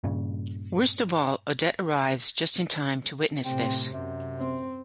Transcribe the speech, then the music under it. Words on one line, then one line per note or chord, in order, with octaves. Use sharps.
Worst of all, Odette arrives just in time to witness this.
G2 A#2 C#3
A2 C3 C4
F#2 C3
C4